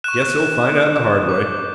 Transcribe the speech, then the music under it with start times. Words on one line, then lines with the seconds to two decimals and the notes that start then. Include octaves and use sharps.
"Guess he'll find out the hard way."
0.04 C#6 F#6 E7
1.29 D6 G6